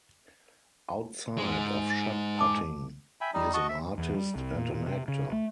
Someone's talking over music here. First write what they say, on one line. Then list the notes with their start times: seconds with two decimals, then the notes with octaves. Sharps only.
Outside of shot putting, he is an artist and an actor.
1.38 G#2 G#3
2.39 A5 D6
3.21 E5 G5 G#5 B5
3.34 G3 D#4
3.54 F#4 D#5 A5 C#6
3.68 E5
3.98 E2
4.14 G3
4.35 C2
4.56 A#2
4.74 A#2
4.86 C3
5.08 C#3
5.32 A3